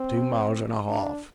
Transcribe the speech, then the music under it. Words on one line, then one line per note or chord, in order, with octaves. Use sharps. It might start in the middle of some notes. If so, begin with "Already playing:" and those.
"Two miles and a half."
Already playing: C4
D4